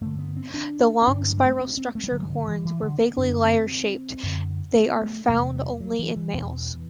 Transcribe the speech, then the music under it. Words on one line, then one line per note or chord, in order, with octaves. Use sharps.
The long, spiral-structured horns are vaguely lyre-shaped, they are found only in males.
G2 D3 A3
B3
C4
D4
C4
G2 D3 D4
F#3
G3
A3
B3
C4
C4
A3
G3
G2 D3 F#3
E3
D3
E3
E3
D3
B3
F#2 D3 D4
B3
C4
F#2 D3
B3
A3
E2 C3 A3
G3
F#3
E3
E3
E2 B2